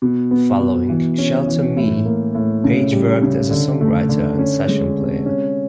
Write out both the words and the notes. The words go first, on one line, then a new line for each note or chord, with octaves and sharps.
Following "Shelter me", Page worked as a songwriter and session player.
B2
B3
B2
E3
C#4
E3
A2
A#3
A2
C#3
G3
C#3
D3
A3
D3
C#4
G#3
C3
C#4